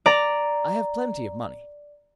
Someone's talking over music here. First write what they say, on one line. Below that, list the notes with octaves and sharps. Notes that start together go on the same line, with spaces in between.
I have plenty of money.'
D5 A#5